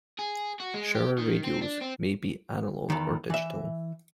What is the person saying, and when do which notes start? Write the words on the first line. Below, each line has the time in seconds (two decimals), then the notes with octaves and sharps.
Shower radios may be analog or digital.
0.19 G#4
0.60 F#4
0.74 G#3
0.95 G4
1.19 D#3
1.44 C4
1.62 D4
1.82 C4
2.90 E2 D#3
3.30 E3 E5